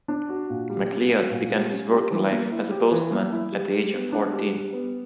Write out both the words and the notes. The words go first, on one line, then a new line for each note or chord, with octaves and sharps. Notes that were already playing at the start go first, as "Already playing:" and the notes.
McLeod began his working life as a postman at the age of fourteen.
D4
F#4
A#2
G3
C#4
F#4
A#2
G3
C#4
G4
E3
A#3
E4
G4
E3
A#3
E4
G3
G3
B3
D4
G3
G3
B3